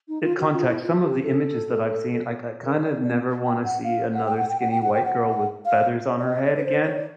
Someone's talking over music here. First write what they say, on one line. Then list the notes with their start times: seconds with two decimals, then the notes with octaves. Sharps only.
eh, context, some of the images that I've seen, I I kind of never wanna see another skinny white girl with feathers on her head again,
0.08 D#4
0.22 F4
0.38 F#4
0.53 F4
0.68 E4
0.83 F4
1.03 G4
1.23 A4
2.64 A#4
2.84 D5
3.03 D5
3.44 G5
3.64 F#5
3.84 F5
4.14 F#5
4.26 G5
4.37 F#5
4.49 G5
4.60 F#5
4.71 G5
4.82 F#5
4.94 G5
5.06 F#5
5.65 F5
6.20 D5
6.25 D#5
6.45 C#5
6.57 B4
6.65 C5
6.85 C#5
6.96 D5